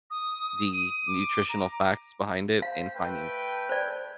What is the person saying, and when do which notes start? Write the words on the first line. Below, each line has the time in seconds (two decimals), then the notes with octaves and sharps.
the nutritional facts behind it and finding
0.11 D#6
0.73 D#7
1.07 D6
1.49 A#5
2.62 C5 F5
2.93 A3 B4 G5
3.69 C5 D5